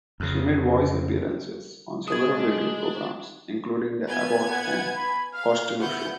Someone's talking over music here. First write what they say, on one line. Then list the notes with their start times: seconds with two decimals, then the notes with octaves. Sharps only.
She made voice appearances on several radio programs, including the "Abbott and Costello Show".
0.20 F2 C#3
2.08 G#3 D4 D#6 G#6
4.07 B3 G#5 G#6
4.50 F#5
4.97 B5
5.34 F5 F6
5.80 B3 E4 F#5 G6